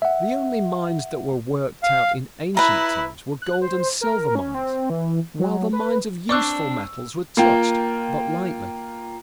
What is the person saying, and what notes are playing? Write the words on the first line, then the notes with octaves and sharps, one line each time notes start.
The only mines that were worked out in ancient times were gold and silver mines, while the mines of useful metals were touched but lightly.
E5 F#5
F5
E4 B4 A#5
F#6
C5
A#4
C#4
C4
E3
F#3
B4
C4 D4 D5 C#6 D6 E6 F#6
A#3 F4 F5 G5